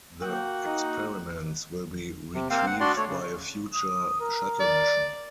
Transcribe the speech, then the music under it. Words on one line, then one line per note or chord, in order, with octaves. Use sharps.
The experiments will be retrieved by a future shuttle mission.
A#3 F#4 G5
D#4
C3
A#3 C4 C5 F5
F#5
D4 F#4 D5 C6
A3 C#5
C#3
D#6
A#4
D5